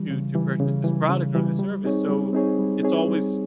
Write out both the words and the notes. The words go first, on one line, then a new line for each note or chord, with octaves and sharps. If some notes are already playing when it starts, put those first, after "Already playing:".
to to purchase this product or this service. So, it's always
Already playing: E3 G3
C#3
E3 G3
C#3
E3 G3
C#3
E3 G3
G3
C4 D#4 G#4 C#5
G3
C4 D#4 G#4 C#5
G3
C4 D#4 G#4 C#5
G3